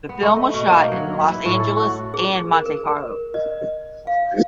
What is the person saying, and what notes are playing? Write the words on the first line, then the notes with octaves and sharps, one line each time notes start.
The film was shot in Los Angeles and Monte Carlo.
B3
A3
D#5
B2
A#3
D#4
F#3
B4
E4
A2
A4
F#4
G#4
A#4
A#4
D#5
F5